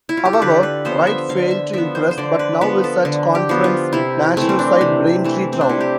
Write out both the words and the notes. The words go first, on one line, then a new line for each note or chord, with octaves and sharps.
However Wright failed to impress, but now is at Conference National side Braintree Town.
E4
F4
G4
A4
D3 B4
B4
F3 B3 C5
E5
D3 F5
E5
F3 B3 E5
C5
C5
D3 D5
B4
F3 B3 B4
A4
D3
G4
F3 B3
F4
C3 E4
E3 A3 C4
C4
D4
C3
E3 A3
C4
D4
C3 E4
G4